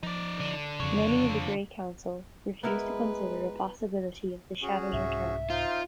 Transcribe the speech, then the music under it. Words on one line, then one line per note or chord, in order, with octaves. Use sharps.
Many in the Gray Council refused to consider the possibility of the Shadows' return.
F3 D#4 D5
D3 D4
F2 C#3 F4 C#5
G#3 B3 E4 A#4 B4 A#5
C#4 F#4 G#4
C2 G#2 E5
D#4 F4 C5 F6